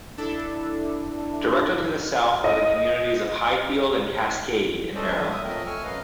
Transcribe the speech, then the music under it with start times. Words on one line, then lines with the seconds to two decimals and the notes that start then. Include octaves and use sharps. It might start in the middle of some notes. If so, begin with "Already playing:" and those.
Directly to the south are the communities of Highfield and Cascade in Maryland.
0.18 D4 E4 A4
2.44 D#5
4.95 C#4 D4 A4 C5 D5 D#5
5.08 F#3 G#3 A3 D4 A#4 B4
5.30 E5 D#6
5.44 F3 F#3 A3 C4 A#4 D#5
5.67 A3 G#5 C#6 E6 F6
5.84 F#2 F#3 B4 D#5 F5